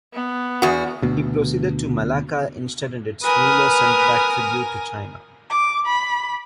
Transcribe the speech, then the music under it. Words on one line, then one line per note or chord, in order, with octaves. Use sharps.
He proceeded to Malacca instead and its ruler sent back tribute to China.
B3
E2 F#4
D2 B2
A#4 B4 G#5 D#6 F6
D6
B5